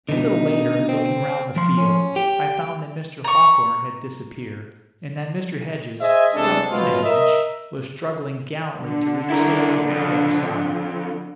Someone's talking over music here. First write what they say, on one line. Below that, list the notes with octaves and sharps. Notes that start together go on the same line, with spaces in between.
A little later, looking round the field, I found that Mr. Hawthorn had disappeared, and that Mr. Hedges, stuck in a hedge, was struggling gallantly to reach safety on the other side.
B2 D3 D#4
C4
F3 C6
C#4
G4 G5
A#5 C#6
G#4 C5 D#5 E5 G#5
E2 C3 G#3 D4 G#4 A4
F#1 B2 F4
A#4 D#5 E5
D3
E4 A#4
F2